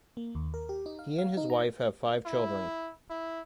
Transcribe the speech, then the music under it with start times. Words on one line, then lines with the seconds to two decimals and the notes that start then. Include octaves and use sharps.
He and his wife have five children.
0.17 A#3
0.35 D#2
0.54 A#4
0.69 G4
0.86 D#4
0.99 F5
1.18 F5
1.37 D#4
1.50 A#5
2.26 E4
3.10 E4